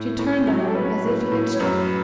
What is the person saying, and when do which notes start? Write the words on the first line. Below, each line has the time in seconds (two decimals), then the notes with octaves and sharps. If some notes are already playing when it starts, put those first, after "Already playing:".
She turned on him as if he had struck her.
Already playing: A2
0.19 A2
0.46 F#3 E4
0.53 F#4
0.60 G4
0.68 A4
0.75 C#4 B4
1.04 A2
1.32 A2
1.53 C#5
1.60 F#2 B4